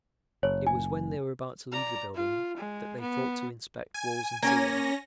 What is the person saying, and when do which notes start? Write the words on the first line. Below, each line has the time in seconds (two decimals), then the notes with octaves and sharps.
It was when they were about to leave the building that they thought to inspect walls and ceiling.
0.43 F#1 C#5
0.67 G#5
1.72 D5 A#5
2.15 F4
2.57 G#3
3.00 B3
3.94 G#5
4.43 A#3 C#4 G#5 A#6